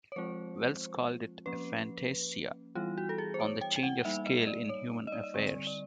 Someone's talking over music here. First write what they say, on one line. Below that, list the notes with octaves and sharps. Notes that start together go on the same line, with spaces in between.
Wells called it a fantasia on the change of scale in human affairs.
C#5
F3 G#3 C4 F4 C5
F3 A#3 C#4 B4
E3 G3 B3 E4 F4
F#4
A4
G#4
C5
C#5
G5
G5
F#5
G3 A#3 D#4 E5
D#5
D5
C#5
D#5
D5
D#5
D3 G3 C4 D5
D5